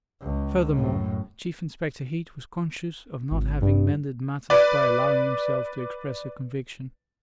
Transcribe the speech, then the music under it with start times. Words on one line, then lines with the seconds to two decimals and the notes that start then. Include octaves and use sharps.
Furthermore, Chief Inspector Heat was conscious of not having mended matters by allowing himself to express a conviction.
0.21 C#2
0.74 F#2 A2
3.31 G#1
3.62 G2
4.50 B4 D5